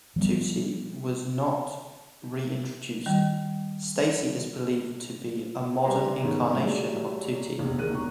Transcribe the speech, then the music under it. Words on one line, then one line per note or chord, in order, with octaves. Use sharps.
Tutti was not reintroduced; Stacie is believed to be a modern incarnation of Tutti.
F3 G3 B3
D#3 G3
G3 G4 B4 G#5 A#5 C6
G#2 D#3 B3 C#4
F#3 G3 A3 G#4 D5
F1 A#1 E2
F#1 D#2 G#3 A#4 F#6 D#7
E1 B1 A#5 C#6